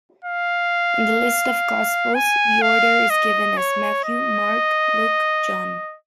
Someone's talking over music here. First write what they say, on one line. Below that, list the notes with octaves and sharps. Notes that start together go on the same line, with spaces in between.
In the list of gospels, the order is given as Matthew, Mark, Luke, John.
F5
G#5
F5
D#5
C#5
D#5